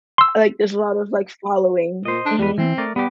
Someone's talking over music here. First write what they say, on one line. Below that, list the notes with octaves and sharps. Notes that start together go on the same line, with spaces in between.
like, there's lot of, like, following. Mhm.
C6 E6
A#2 C5 D#5
D4
E2 G3 B4
E3 C4
A3 A#4 D5
G3 B3 G4